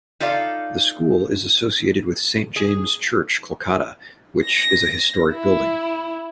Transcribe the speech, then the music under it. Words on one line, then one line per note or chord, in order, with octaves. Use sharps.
The school is associated with Saint James' Church, Kolkata, which is a historic building.
D#4 F4 A4 D5 F5
G#4
A#6
E4